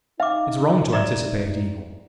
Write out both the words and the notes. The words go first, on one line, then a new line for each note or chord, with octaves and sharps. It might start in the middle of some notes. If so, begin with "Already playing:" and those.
'It's wrong to anticipate evil.
D#4 E5 F5 D6
G3 D#4 D5 E5 A#5